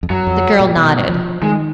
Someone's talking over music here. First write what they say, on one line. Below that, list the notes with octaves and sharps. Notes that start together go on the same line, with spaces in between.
The girl nodded.
F2
F#2 F#3
F2
A#2
B2
F3
D#3 G#3